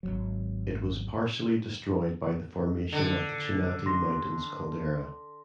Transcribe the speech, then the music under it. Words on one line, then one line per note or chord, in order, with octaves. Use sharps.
It was partially destroyed by the formation of the Chinati Mountains Caldera.
G#1 C#2 F#3
D3
C6 A#6